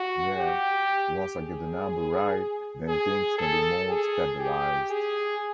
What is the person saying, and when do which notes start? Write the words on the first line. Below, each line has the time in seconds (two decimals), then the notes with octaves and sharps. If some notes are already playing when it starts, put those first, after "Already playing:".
Yeah, once I get the number right, then things can be more stabilised'.
Already playing: F#4
0.36 G4
1.37 G#4
2.88 G#4
3.38 A4
3.89 G#4
4.40 G4
4.90 G#4